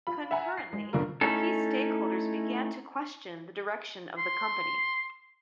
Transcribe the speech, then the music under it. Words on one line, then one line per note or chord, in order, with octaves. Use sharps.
Concurrently, key stakeholders began to question the direction of the company.
F4 B5
E5 F#5 G#5 A#5
C7
G#3
F#1 B2 D3 D4 F4 A#4
A3 C#4 D#4 E4 A4
C6